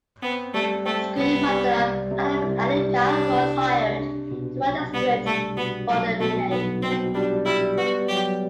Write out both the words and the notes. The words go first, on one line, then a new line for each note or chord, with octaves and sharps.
Screenwriter Adam Alleca was hired to write the script for the remake.
B3 C4
G3 A3
A3 C4
C2 B3
G3
C3
C3
C2
G3
G3 D4
C2
C3
D4
B2
B1
G3 B3
G3 A3
B2 B3
B1 A3
B2 A3
B1 B3
B2 C4
G3 D4
G3 E4
B3 F#4
F#3 G4